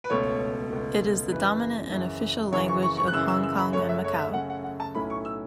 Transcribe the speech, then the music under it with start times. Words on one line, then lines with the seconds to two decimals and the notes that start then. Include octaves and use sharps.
It is the dominant and official language of Hong Kong and Macau.
0.04 B4
0.10 C#2 B2 A3 C#5
0.70 C#2 B2 A3
1.31 F#2 C#3 E3 B4
1.92 F#2 C#3 E3
2.52 F#2 C#3 E3 C#5
2.68 C#6
2.83 C#6
2.97 C#6
3.07 F#6
3.12 F#2 C#3 E3 E6
3.28 E6
3.43 E6
3.58 B5
3.73 F#2 C#3 A3 C#4 C#5
3.89 E5
4.04 C#5
4.19 E5
4.33 F#2 C#3 A3 C#4 F#5
4.50 F#5
4.64 F#5
4.80 A5
4.95 B1 A2 A3 C#4 E4 B5
5.10 C#6
5.25 E6